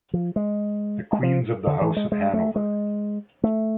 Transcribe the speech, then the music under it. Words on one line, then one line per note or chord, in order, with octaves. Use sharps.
"The Queens of the House of Hanover".
F3
G#3
G#3
F3
D3
E3
G#3
G#3
A3
G#3
A3